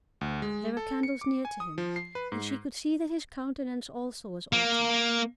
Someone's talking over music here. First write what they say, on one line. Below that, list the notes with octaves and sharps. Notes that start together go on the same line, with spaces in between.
There were candles near to him, and she could see that his countenance also was altered.
D2
G#3
A4
C#7
D6
G#5
D#6
F3
C7
B4
G#2
A#3